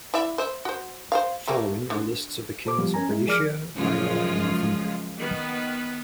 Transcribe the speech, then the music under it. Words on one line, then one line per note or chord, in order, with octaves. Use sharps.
Following are lists of the kings of Bernicia, Deira, and Northumbria.
E4 D5 E5
C5 E5
F#4 C5
C5 D5 F5
G3 A3 A#3
D3
A4 C5 D6
F3 G3 B3
C#4 A#4 G#5 A#5
G#3 E4
F3 G#4 A#4 D5 D6 F6
F#2 C#3 F3 G#3 F4
D#3 B3